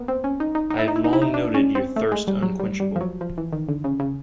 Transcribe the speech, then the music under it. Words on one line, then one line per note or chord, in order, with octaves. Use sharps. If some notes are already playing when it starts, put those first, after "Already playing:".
I have long noted your thirst unquenchable.
Already playing: A#3 B3
C4
C#4
D#4
D#4
D#4
E4
D#4
E4
D#4
E4
D#4
D4
C#4
C4
A3
G#3
G3
F#3
G3
G3
F3
F#3
F3
E3
D#3
D3
C#3
C#3